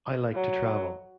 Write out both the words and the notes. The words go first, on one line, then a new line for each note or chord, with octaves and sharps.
I like to travel.
F#3